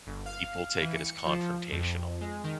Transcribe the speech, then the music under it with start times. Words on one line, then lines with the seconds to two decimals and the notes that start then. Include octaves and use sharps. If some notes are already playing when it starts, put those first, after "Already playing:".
people take it as confrontational,
0.07 G1
0.26 F5
0.81 E3
0.96 C#7
1.25 F3
1.72 F2
2.21 G#3
2.44 D#3